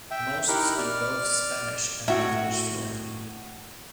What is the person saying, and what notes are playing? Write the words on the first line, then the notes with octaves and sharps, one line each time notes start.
Most speak both Spanish and English fluently.
E5 G5
D#4 E4 G4 A#4 F#6
D5 F6
A2 F#4 E5